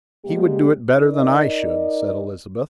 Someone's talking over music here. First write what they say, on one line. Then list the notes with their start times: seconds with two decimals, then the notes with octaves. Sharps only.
"He would do it better than I should," said Elizabeth.
0.25 B2 G3 G#3 A#3 G4
0.94 D#4 A#4 D5 D#5